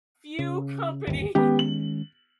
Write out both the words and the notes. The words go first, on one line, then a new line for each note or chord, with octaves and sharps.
few company
C#3
G1 D#2
D#3 G#3 B3 C#4 G4
F#7